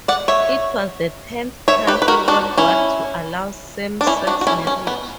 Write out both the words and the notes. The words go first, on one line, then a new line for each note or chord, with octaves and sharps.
It was the tenth country worldwide to allow same-sex marriage.
D5 F#5
C#5 E5
C#5 E5
G4 B4
B4
F#4 A#4
D4 F#4
C#4 E4
D4
C#4 E4
D4 F#4
F#4
C#4 E4
C#4
B3